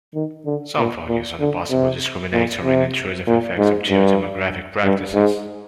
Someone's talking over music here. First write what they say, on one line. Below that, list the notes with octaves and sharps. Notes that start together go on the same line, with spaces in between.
Some focus on the possible discriminatory and intrusive effects of geodemographic practices.
D#3
D3
A#2
A#2
D3
C3
A#2
C3
A#2
G#2
G2
G2
G#2